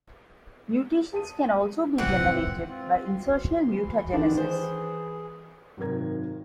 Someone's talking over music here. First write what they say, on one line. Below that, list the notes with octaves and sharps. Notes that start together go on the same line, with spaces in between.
Mutations can also be generated by insertional mutagenesis.
A5 D#6 D#7
F2 G#2 C3 E3 C4 F#5
C4 F4
D2 C6
E3
F2 A2 D3 D#3 D4
G#4 C5
G#1 F#2 C3 D#3 A#4 G#6